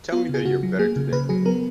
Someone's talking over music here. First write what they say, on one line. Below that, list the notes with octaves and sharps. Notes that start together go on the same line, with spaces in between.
Tell me that you are better today.
B3 F4
C#3 G#4
C#3 F#4
F#3
A#3 G#4
C#3
C#3 B4
F#3 G#4
B3 A#4